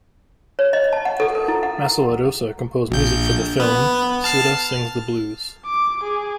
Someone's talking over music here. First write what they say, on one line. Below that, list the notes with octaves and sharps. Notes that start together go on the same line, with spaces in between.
Masaladosa composed music for the film "Sita Sings the Blues".
C#5
D#5
A5
F#5
A4
A#4
E4
F#5
A#1 G6
B3
A5 F6 C7
D6
G#4